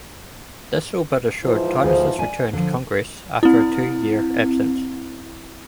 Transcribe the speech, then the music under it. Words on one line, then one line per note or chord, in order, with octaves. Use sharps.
This all but assured Titus' return to Congress after a two-year absence.
G#2 E3 F3
D2 G#4 C5
D5 G#5
D3 F3
C4 E4